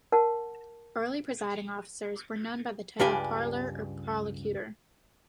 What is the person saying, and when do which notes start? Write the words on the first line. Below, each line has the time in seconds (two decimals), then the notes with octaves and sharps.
Early presiding officers were known by the title parlour or prolocutor.
0.12 A#4 F#5 A5
3.00 C#2 G2 D4 G4 G#5